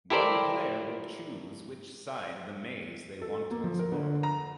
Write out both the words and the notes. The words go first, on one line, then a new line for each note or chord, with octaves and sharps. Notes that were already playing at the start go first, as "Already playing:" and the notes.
One player will choose which side of the maze they want to explore.
E4 G4 A4 A#4 C5 D5
A4
A#3
F3
A#4
D3
A#5